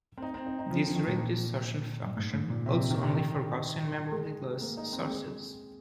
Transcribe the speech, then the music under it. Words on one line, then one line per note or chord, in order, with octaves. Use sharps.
This rate-distortion function holds only for Gaussian memoryless sources.
C4
D#4
C4
D#4
D#4
F3
F3
D#3
A#2
G#2
G#2
A#2
C3
D#3
C3
D#3
G#3
A#3
D#4
C4
G#3